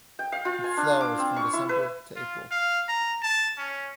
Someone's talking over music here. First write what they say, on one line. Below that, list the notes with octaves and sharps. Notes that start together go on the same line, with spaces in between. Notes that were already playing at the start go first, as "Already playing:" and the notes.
It flowers from December to April.
G5
F5
F4
G#5
D4
D6
C4
C#6
E4
B4
F4
F5
A#5
A5
C#4